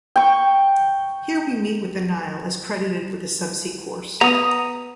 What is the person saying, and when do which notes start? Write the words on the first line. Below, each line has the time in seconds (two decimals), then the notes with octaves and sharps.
Here we meet with the Nile as credited with a subsea course.
0.16 G5 C#6
4.21 B3 A#5 D#6